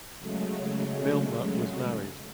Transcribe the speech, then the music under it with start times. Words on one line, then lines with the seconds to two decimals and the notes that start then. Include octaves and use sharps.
Milner was married.
0.19 C#3 F#3 G#3 A3